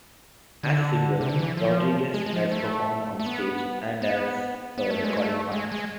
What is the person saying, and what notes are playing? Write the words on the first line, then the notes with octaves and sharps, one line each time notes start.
As a singer, Rodriguez has performed on stage and as a recording artist.
D3
C3
D3
E3
F3
G#3
G#3
F3
A3
A3
B3
B3
B3
A3
G#3
A3
G#3
G#3